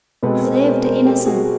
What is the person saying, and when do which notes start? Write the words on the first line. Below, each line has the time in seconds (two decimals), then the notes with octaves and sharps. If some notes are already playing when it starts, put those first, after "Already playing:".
Save the innocent!
0.23 B2 G#3 C4 A4 B4
0.43 A#4 C5
0.64 A#4 C5
0.84 A#4 C5
1.05 G4 A4
1.26 F#4 G#4